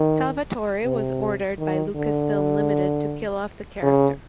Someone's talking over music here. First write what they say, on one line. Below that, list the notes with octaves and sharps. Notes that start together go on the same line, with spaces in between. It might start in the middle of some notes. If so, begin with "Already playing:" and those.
Salvatore was ordered by Lucasfilm Limited to kill off the character.
Already playing: D#3
C3
D#3
D3
C#3